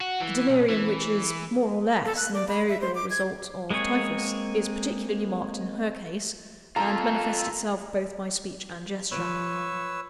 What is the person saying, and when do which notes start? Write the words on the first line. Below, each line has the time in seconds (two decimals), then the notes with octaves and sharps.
The delirium which is, more or less, an invariable result of Typhus, is particularly marked in her case, and manifests itself both by speech and gesture.
0.01 F#4
0.20 E3
0.49 B1
0.70 E3
2.05 A4
2.17 F#6
2.34 D5
2.48 B5
2.69 E5
2.81 C5
2.95 D6
3.10 G#6
3.70 G#3 A#3 C4 G#4 C#5
6.76 F4 A4 A#5
9.11 F3 B4 C#5 E6